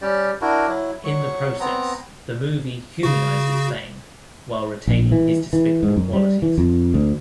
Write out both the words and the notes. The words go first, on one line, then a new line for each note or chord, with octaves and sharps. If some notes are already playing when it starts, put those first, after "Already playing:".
In the process the movie humanizes Feng while retaining his despicable qualities.
G3 C#4 G4 D5
D4 E4 F#4 A#4
F#3 E4
F#3 C#6
B3 C4 A#5
C#3 F#4
A#1
E3
E3
G#2
F#2
G3
E3
F2
D2